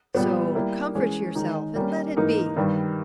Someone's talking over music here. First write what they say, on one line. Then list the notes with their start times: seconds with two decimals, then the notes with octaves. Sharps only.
So comfort yourself, and let it be!
0.15 A#2 G3 B3
0.55 G3 A#3 E4
0.95 E3 G#3 C#4 G#4 C#5
1.35 D#3 G#3 D#4 A#4
1.76 G3 A#3 C#4
2.17 G#2 E3 A#3 D#4 A#4
2.56 G2 D#3 G3